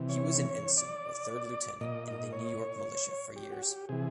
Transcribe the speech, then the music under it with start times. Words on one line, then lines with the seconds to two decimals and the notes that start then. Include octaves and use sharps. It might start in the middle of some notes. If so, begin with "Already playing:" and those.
He was an ensign or third lieutenant in the New York militia for years.
Already playing: C3 E3
0.09 C#5
0.77 D5
1.81 A#2 D#5
2.08 D#5
2.33 C#5
3.36 G4
3.51 F#4
3.62 G4
3.89 C3 E3 G#4